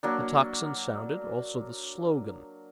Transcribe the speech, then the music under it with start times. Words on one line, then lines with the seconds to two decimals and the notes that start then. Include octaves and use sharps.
The tocsin sounded, also the slogan.
0.03 F#3 A#3 D4